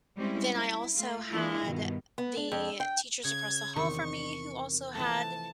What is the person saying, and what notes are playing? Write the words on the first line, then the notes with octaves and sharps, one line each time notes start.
then I also had the teachers across the hall from me who also had
G3 G#3 C4 C#4 E4
E4
A3 F4
E3 A#3 D4 E4 F4
G2 B2 D#3
B3
D4
F2
G5
C#3 G#6
E2 C3 D#3 C#6
E3 F3 A3 A5